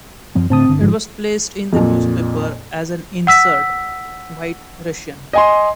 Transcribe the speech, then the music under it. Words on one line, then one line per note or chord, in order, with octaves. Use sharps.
It was placed in the newspaper as an insert: White Russian.
F#2 F3 C4
A2 D3 C4 A5 D#6
G1 D3
G#2 F3
F2 A#2
F#5 E6 B6
D#5 G#5 C6